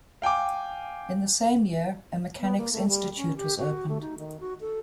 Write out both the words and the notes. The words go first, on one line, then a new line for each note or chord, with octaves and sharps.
In the same year, a Mechanics' Institute was opened.
F5 G5 G#5 D6
B3
A#3
A3
G3
C#4
G4
F#4
A3
D#4
D#3
F#4
A4